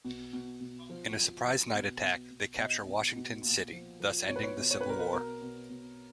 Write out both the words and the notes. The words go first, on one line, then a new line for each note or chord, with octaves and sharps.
In a surprise night attack they capture Washington City, thus ending the Civil War.
B2
B2
B2
F3
F3
F3
B2
B2
B2
B2 D#5
B2
B2
A#2
F3
F3
B2 C#5
B4
C#5
B2
C#5
B4
B2 A#4
B4
B2 A#4
B2
B2